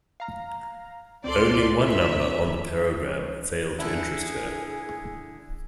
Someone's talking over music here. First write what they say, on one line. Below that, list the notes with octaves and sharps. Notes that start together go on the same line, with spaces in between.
Only one number on the program failed to interest her.
F5 A#5
C#2 C4 F4 A4 D5 C6
E5
D3 E4 G#4